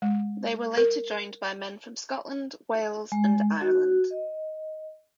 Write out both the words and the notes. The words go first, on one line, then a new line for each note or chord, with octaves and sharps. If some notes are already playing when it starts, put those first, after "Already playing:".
They were later joined by men from Scotland, Wales and Ireland.
G#3
A#4
G#3
F#4
D#5